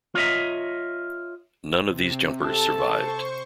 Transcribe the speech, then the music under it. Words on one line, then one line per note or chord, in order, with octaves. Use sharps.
None of these jumpers survived.
F4 C#5 D#5 E5
C3
A4 A5
C5 C#6